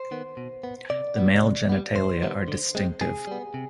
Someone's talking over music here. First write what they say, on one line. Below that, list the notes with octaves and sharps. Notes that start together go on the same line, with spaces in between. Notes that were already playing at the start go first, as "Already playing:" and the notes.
The male genitalia are distinctive.
Already playing: C5
D#3 B3
B2
B3
C3 D5
G3 B3
C3
G3 B3
F2 C5
D#3 G3 B3
D3
G#3 C4
C3 G#4
G3 B3
C3